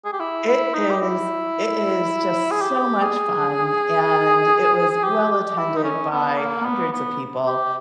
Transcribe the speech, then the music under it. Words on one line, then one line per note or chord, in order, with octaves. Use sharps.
It is it is just so much fun, and it was well attended by hundreds of people.
G#4
G4
E4
E4
D#4
G4
E4
G#4
G4
G#4
G4
G4
E4
D#4
C#4
B3
A#3
B3
B3
G4